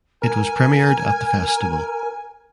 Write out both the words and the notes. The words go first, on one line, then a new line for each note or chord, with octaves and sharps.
It was premiered at the festival.
A#4 G#5